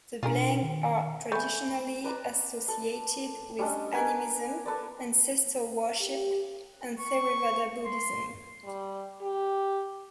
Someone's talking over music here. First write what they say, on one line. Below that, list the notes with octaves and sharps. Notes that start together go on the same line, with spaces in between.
The Blang are traditionally associated with animism, ancestor worship, and Theravada Buddhism.
B2 D4 F4 G#4 A#4
D#3
A3 B3 G#5 B5 G6
B4 D5 A#5 B5
A4
G3 C#4 D4 D#5
A#4 B4 G#5 D6
A4 B4 D5
G4
C#6
C6
G3
G4